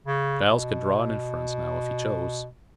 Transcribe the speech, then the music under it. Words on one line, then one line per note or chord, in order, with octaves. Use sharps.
Giles could draw an inference now if he chose.
C#3
B2